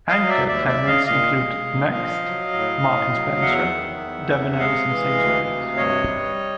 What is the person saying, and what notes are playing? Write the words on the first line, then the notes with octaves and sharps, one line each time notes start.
Anchor tenants include Next, Marks and Spencer, Debenhams and Sainsbury's.
D#5 F5
F#3
D5 E5
D#2 D5 E5
D5 E5
C#3
D#5 F5
A#2 D#5 F5
G#3
A#2
F3
F#3
A2
A2
F#3
E2 E5 F#5
D#3
E2
C3
G#3 D#5 F5
E3
D2
C3
G2 C#5 D#5
G3